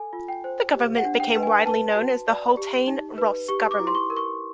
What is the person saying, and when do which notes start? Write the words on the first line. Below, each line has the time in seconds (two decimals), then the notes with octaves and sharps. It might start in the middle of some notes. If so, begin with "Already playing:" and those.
The government became widely known as the Haultain-Ross government.
Already playing: A4 G#5
0.13 F4
0.28 G5
0.44 C5
0.74 G4
0.97 F#5
1.05 D4
1.20 G5
1.35 B4
1.43 G#5
1.66 B4 A5
1.96 F#4
2.27 D5
2.57 G4
2.87 D#4
3.18 B4
3.48 G4 C#6
3.71 D6
3.80 E4
3.87 C6
3.95 C#6
4.10 A#4
4.17 C#6